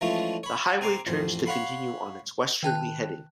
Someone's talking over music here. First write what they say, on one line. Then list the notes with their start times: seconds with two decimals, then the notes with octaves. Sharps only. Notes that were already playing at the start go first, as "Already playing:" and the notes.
The highway turns to continue on its westerly heading.
0.01 E3 F3 G#3 A3 C#4 F4
0.43 C#5 B5
0.81 C4 G#5 A#5 C6 D6
1.07 A1 F2 C5
1.46 C#5 F5 F#5 B5 C6
2.63 D#3 G5 A5 F#6